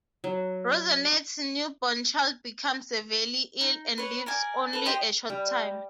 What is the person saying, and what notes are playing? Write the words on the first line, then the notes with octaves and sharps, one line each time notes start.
Rosanette's newborn child becomes severely ill and lives only a short time.
F#3
D#4
B4 C#5
A#4 D5 G#5
A4 B4
G4 C5 D#5 G5
G3